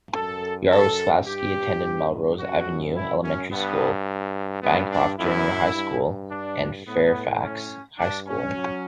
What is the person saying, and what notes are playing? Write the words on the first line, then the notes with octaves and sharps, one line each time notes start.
Yaroslavsky attended Melrose Avenue Elementary School, Bancroft Junior High School and Fairfax High School.
F#2 A4
A4
G2 G4
F#2 F#4
E4
C#4
G2 B3
G2 B3
D4
F#2 E4
G2
D4
A2 B3
C#4
G2 D4
C#4
F#3